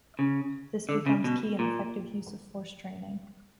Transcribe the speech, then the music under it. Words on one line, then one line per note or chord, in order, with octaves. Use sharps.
This becomes key in effective use-of-force training.
C#3
D3
C#3
B2
A#2